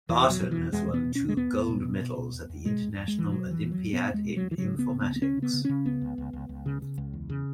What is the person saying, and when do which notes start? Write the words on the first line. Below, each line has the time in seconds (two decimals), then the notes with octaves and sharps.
Barton has won two gold medals at the International Olympiad in Informatics.
0.09 E2 E3
0.24 B2
0.30 F#3
0.41 B2
0.51 E3
0.57 E2
0.73 E2 G#3
0.88 B2
0.94 B3
1.04 B2
1.15 C#4
1.21 E2
1.29 G#3
1.37 E2 B3
1.53 E2
1.69 B2
1.85 B2
2.01 B2
2.17 B2
2.33 E2
2.50 E2
2.65 B2 G#3
2.82 E2
2.98 E2
3.08 G#3
3.13 E2
3.19 E3
3.29 B2 F#3
3.45 E2
3.51 E3
3.61 E2
3.72 F#3
3.77 E2
3.93 B2 B3
4.09 E2 G#3
4.25 B2
4.36 E2 F#3
4.51 E3
4.58 C#3 F#3
4.74 C#2 B3
4.89 C#3
5.01 C#2 B3
5.16 B3
5.21 C#3 C#4
5.37 C#3
5.42 B3
5.53 C#3
5.65 C#3 C#4
5.85 C#2 B3
6.01 C#2
6.18 C#2
6.33 C#2
6.49 C#2
6.66 C#3
6.82 C#3
6.98 C#2
7.13 E2
7.30 C#3